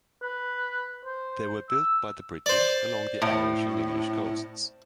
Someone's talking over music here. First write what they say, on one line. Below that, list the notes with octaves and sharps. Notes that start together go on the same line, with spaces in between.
They were built by the British, along the Irish and English coasts.
B4
C5
E6
C5 D5
A2